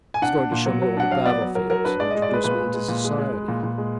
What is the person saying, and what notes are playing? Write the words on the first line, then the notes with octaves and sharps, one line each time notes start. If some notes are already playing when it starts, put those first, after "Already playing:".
He was going to show me all the battle-fields, and introduce me into society.
G#5
D4 F#5
D4
A#2
F#3
F#3
D4 F#5
F#3 F5
B3 D5
F#3
F#3 A#4
F#3 A#4
D4 B4
G#3 D5
G#3 D#5
D5
G#3 B4
A#2 B4
G#3
G#3
A#2
G#3
G#3
G#3
A#2
A#2
G#3